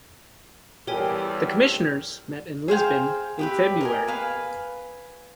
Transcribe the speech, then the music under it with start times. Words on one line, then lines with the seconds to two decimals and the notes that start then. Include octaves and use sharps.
The Commissioners met in Lisbon in February.
0.87 E2 G3 G4 A4 A#4 C#5 G#5 F6
2.68 G#4 C5 F5 G5
3.39 G4 B4 E5
3.81 A#4 D#5 G#5
4.08 B4 F5 G#5